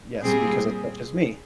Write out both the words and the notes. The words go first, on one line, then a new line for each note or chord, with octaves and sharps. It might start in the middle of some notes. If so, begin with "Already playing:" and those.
Yes, because it touches me.
A#2 G3 C4 G#4